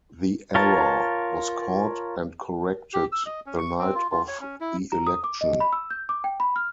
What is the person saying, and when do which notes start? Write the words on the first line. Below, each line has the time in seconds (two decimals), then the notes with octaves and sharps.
The error was caught and corrected the night of the election.
0.55 F4 A#4 C#5 A5
2.94 G4
3.12 E6
3.26 D#5
3.46 C#4
3.58 C#6
3.79 C4
3.95 F4
4.11 F4
4.28 C#5
4.41 C#4
4.61 E4
4.92 A#5
5.07 D#6
5.24 D6
5.41 D#5
5.60 B5
5.73 E6
5.90 G6
6.09 D6
6.24 G5
6.40 B5
6.56 F6